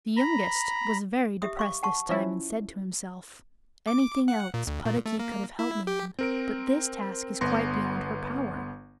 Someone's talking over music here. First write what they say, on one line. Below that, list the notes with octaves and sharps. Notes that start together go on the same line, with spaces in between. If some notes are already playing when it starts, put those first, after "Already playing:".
The youngest was very depressed this time and said to himself, 'Anything else Puddocky could have helped me in, but this task is quite beyond her power.
A#5 B5
G4 E5 D#6
F5 C#6 D6
F#5 A5 C#6
F3 C#4 E4
D6
F#5
A#2
D2
A#2
A3
A#3
E4
G4
C4 A#4 D7
G1 B3 C6 A#6